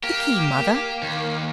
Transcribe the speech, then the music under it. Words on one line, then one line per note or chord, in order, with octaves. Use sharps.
"The key, mother?"
A#3 G4
D#2